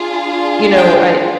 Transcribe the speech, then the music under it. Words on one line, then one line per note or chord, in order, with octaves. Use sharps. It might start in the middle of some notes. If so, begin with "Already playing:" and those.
you know, I,
Already playing: D4 F4 G#4
G5